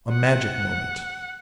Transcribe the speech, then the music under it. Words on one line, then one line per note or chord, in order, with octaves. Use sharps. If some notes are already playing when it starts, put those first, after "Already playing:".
A magic moment.
F#5